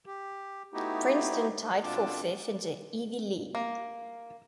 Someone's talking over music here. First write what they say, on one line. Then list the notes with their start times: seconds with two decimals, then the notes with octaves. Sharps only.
Princeton tied for fifth in the Ivy League.
0.06 G4
0.74 A3 B3 D#4 E4 F#4 G4
1.84 B2 C4 D4 F4 A5 D6
3.55 A#3